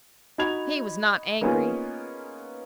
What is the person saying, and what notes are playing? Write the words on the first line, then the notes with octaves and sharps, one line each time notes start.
He was not angry.
D#4 F#4 B5 G#6 F7
A#3 B3 C#4 D#4 F4 G#4